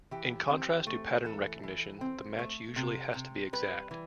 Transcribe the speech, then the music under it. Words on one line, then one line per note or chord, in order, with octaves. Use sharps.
In contrast to pattern recognition, the match usually has to be exact.
E3 G4
C4
A3
E3 A4
E3
C4
A3
C3
C3
G3 B4
E3